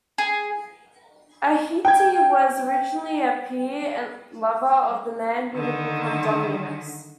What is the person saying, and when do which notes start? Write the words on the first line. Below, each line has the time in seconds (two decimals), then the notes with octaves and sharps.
Ahti was originally a peer and lover of the man who would become Dominus.
0.18 G#4
1.85 G5 G#6
5.53 D3 D#3